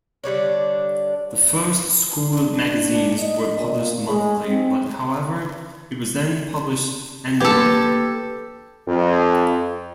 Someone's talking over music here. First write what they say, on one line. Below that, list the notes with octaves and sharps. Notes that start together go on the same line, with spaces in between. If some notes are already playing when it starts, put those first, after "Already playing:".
The first school magazines were published monthly but however, it was then published annually.
D3 G3 D4 C#5
D4
D#5
A#2
G#3
C4
A#3 G4 A4 B4 G#6
F2